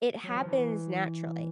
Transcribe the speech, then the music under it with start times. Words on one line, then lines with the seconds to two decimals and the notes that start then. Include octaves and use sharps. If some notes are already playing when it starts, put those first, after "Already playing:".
It happens naturally.
0.24 F#3
0.35 F3
0.46 E3